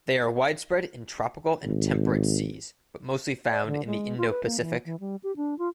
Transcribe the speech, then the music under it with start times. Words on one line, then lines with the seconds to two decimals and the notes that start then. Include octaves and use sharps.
They are widespread in tropical and temperate seas, but mostly found in the Indo-Pacific.
1.63 G#1
3.51 D5
3.66 D3
3.86 G#3
4.18 F4
4.30 B4
4.45 A#3
4.60 E3
4.85 E3
5.00 G3
5.23 G4
5.36 D4
5.59 F4